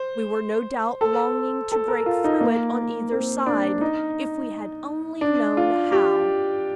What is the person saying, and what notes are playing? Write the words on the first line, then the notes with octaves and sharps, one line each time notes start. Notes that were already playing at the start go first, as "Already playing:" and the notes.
We were no doubt longing to break through it on either side--if we had only known how.
Already playing: C5
A4
A4
A#4
F4
D#4
A#3
C4
D4
D#4
D4
F4
G4